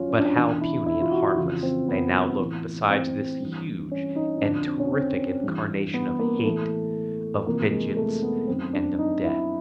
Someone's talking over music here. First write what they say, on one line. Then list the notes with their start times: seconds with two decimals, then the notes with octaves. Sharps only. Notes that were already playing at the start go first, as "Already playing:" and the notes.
But how puny and harmless they now looked beside this huge and terrific incarnation of hate, of vengeance and of death.
Already playing: F#2 D#3 C#4 F4 F#4
0.10 C#4
0.18 D4
0.25 C#4
0.36 E2 B2 D4
0.61 E4
0.86 E4
1.02 F4
1.12 F#4
1.37 F2 C#3 E3 F4
1.63 C4
1.88 B3
2.38 A2 E3
2.90 C4
3.40 G2 E3
3.91 C#4
4.16 D#4
4.37 D#4
4.42 F2 D3 D4
4.67 C4
4.80 C#4
4.92 C4
5.43 G2 E3
5.94 B3
6.19 A#3
6.44 A2 E3 A3
7.46 F2 C3 E3 A#3
7.71 G#3
7.97 A3
8.23 B3
8.48 F#2 D#3 C4
8.73 D4
8.99 D#4
9.24 E4